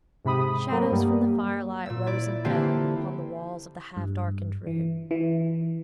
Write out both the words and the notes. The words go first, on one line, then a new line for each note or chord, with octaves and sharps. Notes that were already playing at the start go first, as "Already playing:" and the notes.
Shadows from the firelight rose and fell upon the walls of the half-darkened room.
G#2 C3 B5 D#6
F#3 A3 A#3 A#4
G2 G3 A#3
A#2 E6
E4 D5
D3 A#3 C4 E4 G4 A4
G2
E3
E3